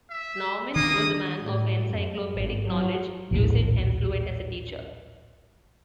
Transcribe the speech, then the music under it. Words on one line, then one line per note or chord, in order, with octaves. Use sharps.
Naumann was a man of encyclopedic knowledge, lucid and fluent as a teacher.
E5
D#3 A#3 D4 D#6
A2
F#2
G#1
F#3
A#1 D#2 A2